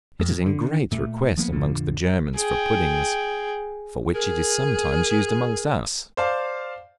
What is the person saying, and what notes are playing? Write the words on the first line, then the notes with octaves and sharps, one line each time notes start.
It is in great request amongst the Germans for puddings; for which it is sometimes used amongst us.
F2
D3
A#2 A3
F3 A#3 B3
F1 A#2 D3 F3
G#4 G5
G#4 A#4
C5 D5 F5 A5